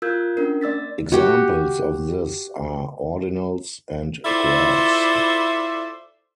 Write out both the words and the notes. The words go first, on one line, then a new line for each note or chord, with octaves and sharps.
Examples of this are ordinals and graphs.
F4 A#4 E6 G6 G#6
C#4 D4 A#4
A#3 D5 E6 A6 B6
F#4 G4
E4 F4 A4 C5 D5 E5